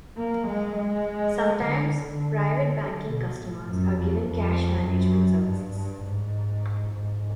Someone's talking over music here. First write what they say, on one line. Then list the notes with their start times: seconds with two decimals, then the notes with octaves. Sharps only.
Sometimes, private banking customers are given cash management services.
0.18 A#3
0.48 G#3
0.77 G#3
1.64 D3
1.94 D3
2.82 D3
3.11 B2
3.40 A2
3.70 F#2
3.98 F2
4.28 F2
4.86 F#2
5.45 G2
5.75 G2
6.04 G#2
6.92 G#2